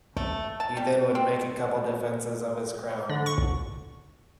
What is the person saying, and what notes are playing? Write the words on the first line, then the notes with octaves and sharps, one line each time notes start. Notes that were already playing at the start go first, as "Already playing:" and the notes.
He then would make a couple defenses of his crown.
A3
A5
G3
C4
D3
C#6